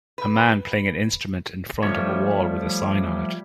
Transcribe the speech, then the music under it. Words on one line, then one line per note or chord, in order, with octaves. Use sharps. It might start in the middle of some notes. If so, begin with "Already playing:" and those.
A man playing an instrument in front of a wall with a sign on it.
B4
F3 G3 A3 C#5